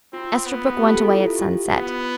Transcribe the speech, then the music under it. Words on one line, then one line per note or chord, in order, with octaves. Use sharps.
Esterbrook went away at sunset.
C4 F4
B3
F4
G4
A4
F4
E4
F4
G4
F4
B3